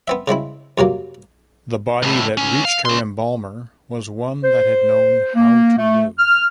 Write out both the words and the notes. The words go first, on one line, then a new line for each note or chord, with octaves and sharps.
The body that reached her embalmer was one that had known how to live.
B3 C4 E5
C#3 G#3 C4 E4
F2 C3 F#3 A#3
C#2 A2
C#2 C#4
F5
C#4 C6
C5
A#3
A3
F6